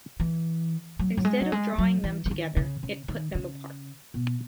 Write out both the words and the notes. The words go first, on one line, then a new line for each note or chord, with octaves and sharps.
Instead of drawing them together, it put them apart.
E3
F#3
F#3
G#3
F#3
G#3
F#3
E3
E3
D#3
C#3
C#3
D#3
C#3
B2